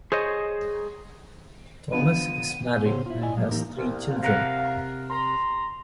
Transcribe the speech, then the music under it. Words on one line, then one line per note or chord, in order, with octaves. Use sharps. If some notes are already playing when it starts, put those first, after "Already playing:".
Thomas is married and has three children.
G#4 C5 C#5 D#5
D3 F3 B3 D#7
C#3 B3 G4 C5 C#5 C6
E4 F4
E4 D5 D#5 G#5
A#2 C#3 F3 F#3 G#3
E3 A#3 D#4 G4 A#4
C2
C3 A#4 F5 F#5
A#5 C6